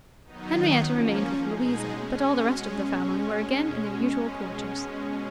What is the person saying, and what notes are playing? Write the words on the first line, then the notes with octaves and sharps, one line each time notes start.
Henrietta remained with Louisa; but all the rest of the family were again in their usual quarters.
D#3 F#3 B3 D#4
F3 A#3 C#4
B2 G#3 D#4 G#4
B2 G#3 C#4